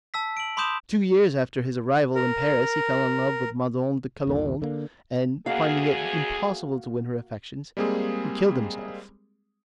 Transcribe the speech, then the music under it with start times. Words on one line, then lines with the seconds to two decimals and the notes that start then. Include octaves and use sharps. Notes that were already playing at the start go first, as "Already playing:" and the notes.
Two years after his arrival in Paris he fell in love with Madame de Colande, and, finding it impossible to win her affections, he killed himself.
0.14 A5 E6 B6
0.37 D7 F#7
0.57 B5 C6 D6 D#6 G6 E7
2.15 A#4
4.27 G1 D#2 A#2
4.62 D3 A#3
5.46 D2 A#3 F#4 G#4 F5
7.77 G3 G#3 A#3 C4 G#4